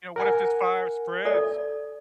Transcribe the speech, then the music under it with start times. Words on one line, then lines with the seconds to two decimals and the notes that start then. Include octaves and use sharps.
you know, what if this fire spreads
0.16 A#4 F#5 G#5
1.25 A4 D5